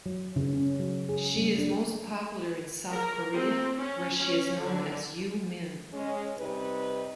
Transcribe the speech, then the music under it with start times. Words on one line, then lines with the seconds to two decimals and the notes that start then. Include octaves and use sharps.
She is most popular in South Korea, where she is known as Yoo Min.
0.06 F#3
0.36 C#3
0.54 C#4
0.79 F#3
1.09 G#4
1.36 G3
1.58 D4
2.91 A#4
3.34 C4
3.78 C#4
4.18 C#4
4.59 D3
5.93 G#3 C#4
6.38 C3 G3 D#4 B4